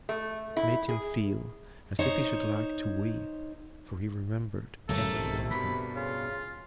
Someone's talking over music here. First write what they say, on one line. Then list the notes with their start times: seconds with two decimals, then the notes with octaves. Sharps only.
It made him feel as if he should like to weep, for he remembered every one of them.
0.09 A3
0.57 E4
0.89 G#4
1.99 D#4 C5 C#5
4.89 C#2 F#2 C#3 A3 A#3 A4
5.12 B1 C3 D#3
5.51 G2 B2 B5
5.96 C#3 F4